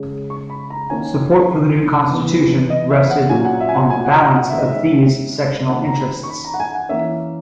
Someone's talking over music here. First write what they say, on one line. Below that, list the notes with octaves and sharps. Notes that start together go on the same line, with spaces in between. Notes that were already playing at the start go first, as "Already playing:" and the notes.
Support for the new Constitution rested on the balance of these sectional interests.
Already playing: C#3 G#3 C#4
C#6
B5
A#5
D#3 A#3 C#4 G#5
E3 B3
D#5
E5
F#5
A#2 F#3 A#3 C#4 G#5
F#5
E5
G#5
F#5
G#5
F#5
A#5
F#5
D#3 G#3 C#4 E5
D#5
E5
D#3 A#3 C#4 F#5
A#5
B5
C#6
B5
A#5
F#5
G#5
F#5
E3 A#3 C#4 E5